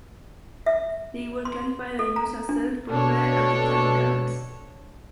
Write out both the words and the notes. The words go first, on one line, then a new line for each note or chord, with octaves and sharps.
They were classified and used as "self-propelled anti-tank guns".
E5
C6
A4
A#5
D4
B2 D4 A4 C#5